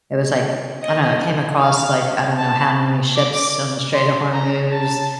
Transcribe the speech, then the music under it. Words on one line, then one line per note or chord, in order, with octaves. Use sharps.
it was like, I don't know, it came across like I don't know how many ships on the Strait of Hormuz
D#5
F5
A5
D6
C6
A#5
A5